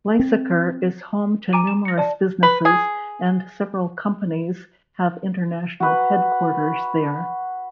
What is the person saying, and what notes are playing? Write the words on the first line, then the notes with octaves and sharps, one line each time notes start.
Lysaker is home to numerous businesses, and several companies have international headquarters there.
C4
G#5 A#5 D6 D#7
E7
A#6 C#7
D5 A5
B4
G#4
F#4 B4